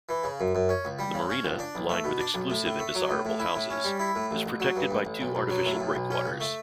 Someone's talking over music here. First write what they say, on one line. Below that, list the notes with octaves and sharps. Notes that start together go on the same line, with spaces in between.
The marina, lined with exclusive and desirable houses, is protected by two artificial breakwaters.
E3
C#3
F#2
F#2
C#4
C#2
G3
C#3
C#4
C#2
D4
B1
A3
B2
D4
B1
A2
A2
A3
F#3
A2
A2
E4
A2
C#4
G3
E4
A2
A1
A1
F#3
G2
A1
A1
B1
B1
F#3
A2
B1
B1
C#4
C#2
A3